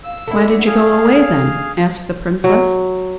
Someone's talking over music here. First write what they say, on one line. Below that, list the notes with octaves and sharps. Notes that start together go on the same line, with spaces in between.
'Why did you go away then?' asked the princess.
F5 E6
A3 D4 E4 F#5 B5
G#4 A4 D5 F5
F#3